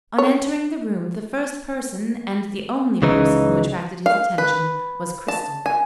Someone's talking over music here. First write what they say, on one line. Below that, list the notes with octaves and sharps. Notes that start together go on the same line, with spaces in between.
On entering the room, the first person, and the only person, who attracted his attention was Cristel.
C#5
C#2 C#3 E3 D#4
F5
B4
A5
G#5